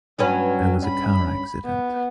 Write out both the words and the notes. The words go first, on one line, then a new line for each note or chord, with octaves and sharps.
There was a car accident.
G2 F#3 C#4 B4
B5
B3